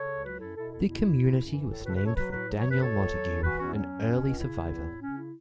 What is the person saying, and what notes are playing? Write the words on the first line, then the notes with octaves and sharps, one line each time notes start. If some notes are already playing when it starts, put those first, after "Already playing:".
The community was named for Daniel Montague, an early surveyor.
Already playing: C#3 A4 C#5
C#2
F#3 F#4 B4
F#2 E4 A4
B2 E4 A4
E2 E4 A4
B2 E4
E2
C#3
F#2
E3
A2 E4 A4
C#3 F#4 B4
A4
F#2 F#4 B4
A4 C#5
F#3 F#4 B4
A2 F#4 B4
F#3
F#2 C#5
B4
B2 A4 C#5
C#2
F#3
F#2
E3 F#4 B4
E2 C#4 F#4
E4
F#3 C#4
F#2
B2
C#2
C#3 E4
E2
E3
A2
C#3 C#4
E4